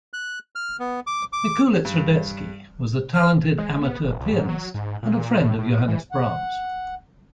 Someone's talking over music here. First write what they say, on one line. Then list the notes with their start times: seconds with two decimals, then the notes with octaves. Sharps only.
Mikulicz-Radecki was a talented amateur pianist and a friend of Johannes Brahms.
0.13 F#6
0.55 F6
0.80 B3
1.07 D6
1.33 D6
1.85 G2
3.14 F6
3.58 G#3
3.81 B3
4.04 F#1
4.20 C#2
4.33 G#2
4.49 F#3
4.74 G#2
5.03 A#2
5.41 A2
5.58 A2
5.88 E3
6.12 F#5